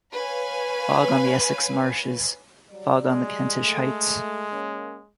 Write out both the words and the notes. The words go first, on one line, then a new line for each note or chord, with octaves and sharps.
Fog on the Essex marshes, fog on the Kentish heights.
B4 C#5 F5 G#5
F#3 G3 D5
G#3
A3
A#3 C#4